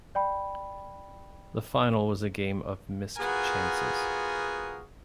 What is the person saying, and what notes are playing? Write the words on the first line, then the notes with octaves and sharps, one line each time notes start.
The final was a game of missed chances.
D5 G5 B5
B3 F4 F#4 G#4 A#4 G#5